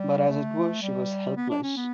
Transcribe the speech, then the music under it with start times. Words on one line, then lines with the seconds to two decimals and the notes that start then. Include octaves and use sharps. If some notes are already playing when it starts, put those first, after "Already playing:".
But as it was she was helpless.
Already playing: G3
0.29 A3
0.82 G3
1.36 B3
1.50 D4
1.63 C#4
1.77 B3